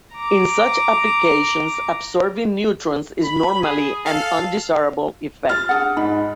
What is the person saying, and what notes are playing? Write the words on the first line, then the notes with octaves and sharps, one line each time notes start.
In such applications, absorbing neutrons is normally an undesirable effect.
A#5 D6
B5
G#4
A4 F5
F6 A6
D4 G#4 F#5
G#2 B5